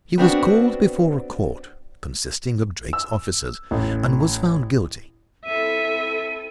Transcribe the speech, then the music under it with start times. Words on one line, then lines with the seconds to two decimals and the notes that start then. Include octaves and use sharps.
He was called before a court consisting of Drake's officers and was found guilty.
0.18 B3 C4 D4 F#4
2.93 E6
3.71 A1
5.45 C4 E4 A4 E5 D#7